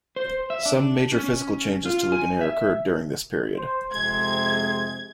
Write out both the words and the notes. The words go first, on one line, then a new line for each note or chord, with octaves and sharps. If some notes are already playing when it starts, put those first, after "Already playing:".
Some major physical changes to Ligonier occurred during this period.
C5
E5
D4
C#4
F4
G#5
E5
C5
F2 C3 G#3 G#6